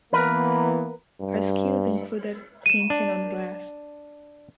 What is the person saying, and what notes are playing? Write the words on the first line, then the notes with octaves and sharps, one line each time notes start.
Her skills included painting on glass.
E3 A#3 B3 A#4 B4
G2
D#7 E7
D4